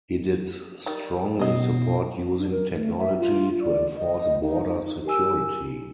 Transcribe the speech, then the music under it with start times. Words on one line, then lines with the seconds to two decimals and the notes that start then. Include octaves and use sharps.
He did strongly support using technology to enforce border security.
0.86 D#3 G3
1.39 B2 F#3 B3 D#5
2.38 D4
2.51 A#4
2.76 A3
2.98 E5
3.18 F4
3.61 D5
3.97 D#5
4.42 D#4
5.05 G4 A#4 G#5 E6